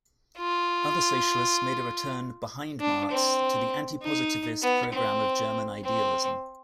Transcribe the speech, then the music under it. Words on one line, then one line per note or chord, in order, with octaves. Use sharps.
Other socialists made a return 'behind Marx' to the anti-positivist programme of German idealism.
F4
D4
C4
D#4
B3
C4
C4